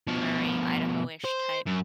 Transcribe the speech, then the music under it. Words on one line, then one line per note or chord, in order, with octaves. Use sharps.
Prairie, Idaho-ish type
B2 F3
C5
F#2